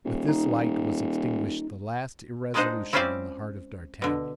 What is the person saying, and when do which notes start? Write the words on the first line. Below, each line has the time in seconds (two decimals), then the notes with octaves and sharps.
With this light was extinguished the last irresolution in the heart of d'Artagnan.
0.04 D#1
0.29 D#4
2.54 A#2 G#3 D4 D#4 C5 F#5
2.93 C4 C#4 E4 F4 C5 D5
4.02 B2 D3